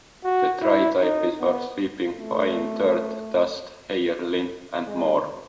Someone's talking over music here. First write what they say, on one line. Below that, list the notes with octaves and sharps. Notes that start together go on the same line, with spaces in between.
The dry type is for sweeping fine dirt, dust, hair, lint, and more.
F#4
E4
D#4
B3
A3
G#3